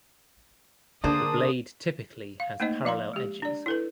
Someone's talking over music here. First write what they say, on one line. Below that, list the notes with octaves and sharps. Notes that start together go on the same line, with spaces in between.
The blade typically has parallel edges.
D3 A#3 D4 G#4 C5 D#6
F5
A3 A#3 D#4 C5 D#5
F3 F5 A#5 C6
G#3 G4
D4 D5
E4 A4 B4